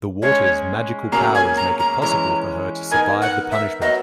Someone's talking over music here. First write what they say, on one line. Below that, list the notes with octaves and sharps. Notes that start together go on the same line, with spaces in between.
The water's magical powers make it possible for her to survive the punishment.
G#3 C#4 G#4 C#5
B2 F#3 A#3 C#4 G#4 A#5
G#5
A#5
A#5
E3 G#3 C#4 A#5
B3 D#4 A#4 D#5 G#5
F#5
E5
F#3 B3 F#4 A#4 D#5 E5